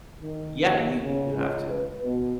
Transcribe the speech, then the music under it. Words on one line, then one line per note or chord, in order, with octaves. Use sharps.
Yeah, you you have to.
D#3
D#2
C#3
C#2
B4
B2